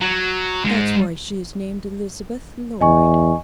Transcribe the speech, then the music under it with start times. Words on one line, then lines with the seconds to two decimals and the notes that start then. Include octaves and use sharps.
That's why she is named Elizabeth Lloyd.
0.01 F#3
0.65 G#2 G#3
2.81 E2 D#5 G#5 C#6